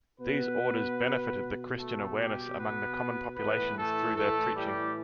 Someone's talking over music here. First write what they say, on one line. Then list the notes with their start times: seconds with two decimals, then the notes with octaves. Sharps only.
These orders benefited the Christian awareness among the common populations through their preaching.
0.20 B2 B3 B4
1.78 A3 A4
2.18 G3 G4
2.58 B3 B4
3.37 A2 E3 B3 B4
3.76 A3 A4
4.16 A3 A4
4.55 G3 G4